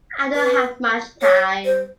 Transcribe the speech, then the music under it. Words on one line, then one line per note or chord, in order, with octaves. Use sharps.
I don’t have much time.
B4
C#5
C5